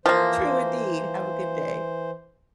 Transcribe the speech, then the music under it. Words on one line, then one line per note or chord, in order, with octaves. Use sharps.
True indeed. Have a good day.
E3 F3 A#3 C5